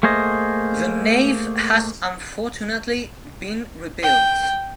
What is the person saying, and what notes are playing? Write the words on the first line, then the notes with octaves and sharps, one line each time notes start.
The nave has unfortunately been rebuilt.
A3 A#3 G#4 C5 D#5
G5